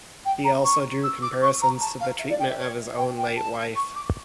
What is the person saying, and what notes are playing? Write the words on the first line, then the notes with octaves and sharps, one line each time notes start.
He also drew comparisons to the treatment of his own late wife.
G5
A#5
C#6
E6
D6
C#6
A#5
A5
F5
E5
D5
G5
E5
C#5
G5
G5
A5
C#6
D6